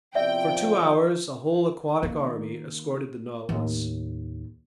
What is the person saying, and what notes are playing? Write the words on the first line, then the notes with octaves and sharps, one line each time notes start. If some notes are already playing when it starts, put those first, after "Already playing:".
For two hours a whole aquatic army escorted the Nautilus.
E2 C3 F3 D5 E5 G5
D#3 A#3
D#2 A2